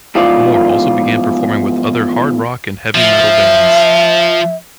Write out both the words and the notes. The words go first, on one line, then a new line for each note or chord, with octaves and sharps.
Moore also began performing with other hard rock and heavy metal bands.
E2 G#2 F3 F4 D5
F3 E5